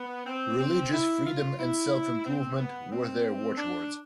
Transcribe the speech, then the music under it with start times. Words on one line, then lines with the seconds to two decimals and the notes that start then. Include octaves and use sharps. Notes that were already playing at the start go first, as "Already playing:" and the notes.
Religious freedom and self-improvement were their watchwords.
Already playing: B3
0.25 C4
0.58 C4
0.92 E4
1.26 F4
1.59 E4
2.25 C4
2.58 B3
2.91 C4
3.58 D4